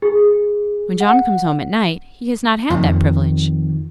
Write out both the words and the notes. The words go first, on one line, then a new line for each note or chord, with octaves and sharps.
When John comes home at night, he has not had that privilege.
G#4
F#5
F2 D#3